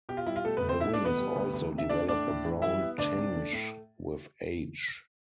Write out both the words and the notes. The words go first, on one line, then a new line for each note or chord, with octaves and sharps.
The wings also develop a brown tinge with age.
B2 G4
F4
G3 E4
F4
B2 A3 A4
B3 B4
A3
C4 C5
B2 E4 E5
D4 D5
A3
B3 B4
G3
D2
D2
C3
E5
A3 D4 D5
A2 D4 D5
A2
E3
G3 E4 E5
B3
D2 D4 D5
C3
A3
A2